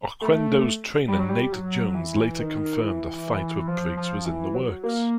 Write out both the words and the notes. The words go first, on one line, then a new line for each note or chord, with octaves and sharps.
Oquendo's trainer Nate Jones later confirmed a fight with Briggs was in the works.
A3
G3
F#3
G3
F#3
E3
D#3
E3
F3
F3
E3
F#3
A#3